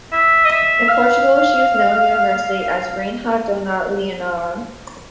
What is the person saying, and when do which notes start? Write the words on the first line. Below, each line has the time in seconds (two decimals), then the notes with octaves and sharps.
In Portugal, she is known universally as "Rainha Dona Leonor".
0.13 E5
0.45 D#5
0.51 E5
0.89 F5